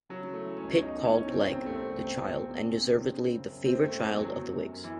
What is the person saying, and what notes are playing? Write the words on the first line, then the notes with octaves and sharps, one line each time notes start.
Pitt called Legge, the child, and deservedly the favourite child, of the Whigs.
C#3 F#3
E3
A3
E3
C#4
C#2
E2 D#4
E3
C#4
E3
C4
E3
C2 C4
C2 A3
C4
C3
C4
C2
E2
C#3
C#3
C#3
C#3
C#3
C#3
F#2
C3 C4
C3 A3
E2
E2 F#3
F#2
F#2
F#2
E3